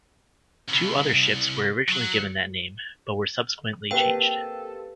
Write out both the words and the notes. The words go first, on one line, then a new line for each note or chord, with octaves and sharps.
Two other ships were originally given that name, but were subsequently changed.
C2
F#3
A#3 C4 G4 A4 B4 F5 G5